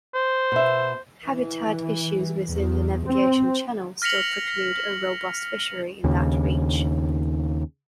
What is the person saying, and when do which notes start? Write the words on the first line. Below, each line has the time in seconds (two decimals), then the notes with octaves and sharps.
Habitat issues within the navigation channel still preclude a robust fishery in that reach.
0.15 C5
0.52 B2 E5
1.25 E3
2.48 E2
3.06 C4
4.02 F6 A#6 B6 C#7 F7 F#7
6.04 D#2 C#3